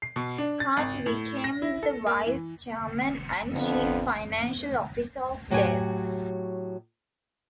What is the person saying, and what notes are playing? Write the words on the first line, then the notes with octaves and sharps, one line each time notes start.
Carty became the Vice Chairman and chief financial officer of Dell.
C7
B2
D4
A6
G#1
A2
A#6
E4
A4
A#3
E3
F2 D3 B3 C4
A2 F#3 F#4 G4 C#5 G#5